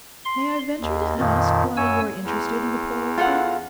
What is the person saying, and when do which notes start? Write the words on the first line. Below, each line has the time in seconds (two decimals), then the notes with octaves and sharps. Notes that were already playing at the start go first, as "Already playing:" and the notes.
May I venture to ask why you are interested in the poor old thing?'
0.25 C6
0.81 D#2
1.19 F2 A#2 D#3
1.77 F#2 C#5 G#5 E6
2.25 E2
3.18 F4 A4 F#5